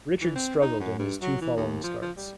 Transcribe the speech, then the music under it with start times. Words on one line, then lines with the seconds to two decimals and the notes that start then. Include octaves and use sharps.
Richard struggled in his two following starts.
0.21 E3
0.36 C4
0.62 D#4
0.80 F#2
0.99 G2
1.22 F#3
1.41 E3
1.56 D#2
1.83 F3
2.02 F3
2.16 G3